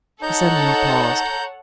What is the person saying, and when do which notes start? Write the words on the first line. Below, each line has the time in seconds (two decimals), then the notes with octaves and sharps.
He suddenly paused.
0.22 D#4 A4 C#5 F#5 A#5 G6